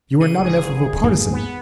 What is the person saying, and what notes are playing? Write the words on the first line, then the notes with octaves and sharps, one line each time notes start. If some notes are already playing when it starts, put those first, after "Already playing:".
You are not enough of a partisan.
C#3 D#7
G#1 G#4
F2 G#2 A#3
B3